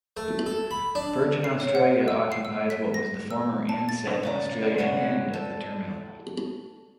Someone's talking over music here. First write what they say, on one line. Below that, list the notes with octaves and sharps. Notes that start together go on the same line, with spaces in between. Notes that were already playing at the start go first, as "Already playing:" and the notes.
Virgin Australia occupies what was the former Ansett Australia end of the terminal.
A3
A4
B5
D4
C7
C#5
F#5
E6
C7
E6
B6
A#6
E6
A5
A6
C#3 D5 A#5
D#2 C#3 G3 F#5
A4